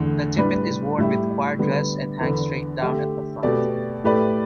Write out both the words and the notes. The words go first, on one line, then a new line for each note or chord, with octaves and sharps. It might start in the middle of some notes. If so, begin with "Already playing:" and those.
The tippet is worn with choir dress and hangs straight down at the front.
Already playing: E2 D3 A3
A2 G3 D4 B4 D5
A2 G3 E4 G4
D3 G3 B3
E2 D3 B3 D4
D3 A3 G4 E5
B2 A3 G4 D5
A2 A3 G4 B4 D5